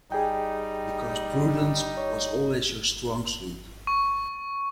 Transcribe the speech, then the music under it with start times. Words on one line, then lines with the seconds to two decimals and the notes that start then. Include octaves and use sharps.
Because prudence was always your strong suit.
0.12 G3 D#4 G#4 G5
1.97 C#5
3.87 C#6